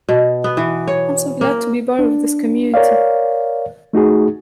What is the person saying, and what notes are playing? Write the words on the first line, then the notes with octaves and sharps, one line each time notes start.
I'm so glad to be part of this community.
B2
B3
E3
C#5
A#3
D4
A#4 C#5 D5 F5
A3 D#4 F#4 G#4